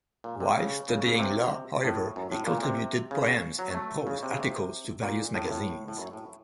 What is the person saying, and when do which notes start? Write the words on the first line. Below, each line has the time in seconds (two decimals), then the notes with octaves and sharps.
While studying law, however, he contributed poems and prose articles to various magazines.
0.24 A#2
0.40 C3
0.57 C#3
0.89 C#3
1.04 C#3
1.15 A#2
1.19 C3
1.84 A2
2.16 F#2
2.32 A2
2.47 A#2
2.63 C3
3.11 C#3
3.59 F#3
3.74 A3
4.07 C#3
4.23 C3
4.30 C#3
4.40 C3
5.02 A#2
5.34 A2
5.45 A#2
5.51 A2
5.88 A2
5.97 F#2
6.13 A2